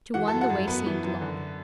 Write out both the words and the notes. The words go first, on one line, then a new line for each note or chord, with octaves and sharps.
To one the way seemed long.
E3 F#4 F#5
F#2 A4 A5
F#4 F#5
F#2
B3 B4
E3
F#2
D3